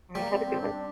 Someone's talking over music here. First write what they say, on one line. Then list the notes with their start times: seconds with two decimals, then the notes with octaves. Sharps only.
All right, have a good one.
0.15 G3 A#3
0.30 C4
0.45 C4
0.60 D4